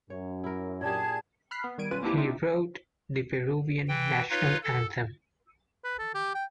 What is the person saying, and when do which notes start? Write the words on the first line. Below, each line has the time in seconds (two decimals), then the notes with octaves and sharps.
He wrote the Peruvian national anthem.
0.10 F#2 C#5
0.44 E4 A#4
0.81 A#2 D4 G4 G#4 A5 G#6
1.51 B5 F6 F#6 B6 C7
1.64 B3
1.78 D#3 G3 G#6 D7 D#7
1.91 B1 C#4 F4 B4 D#7
2.03 A#3 C4 D4 E4 G4
2.18 D4 D#4 F4 G4 E5
3.88 E3 G5
4.30 D#4 F4 B4 C#5 F5
4.63 A4
5.84 B4
5.99 A4
6.15 G4
6.35 G5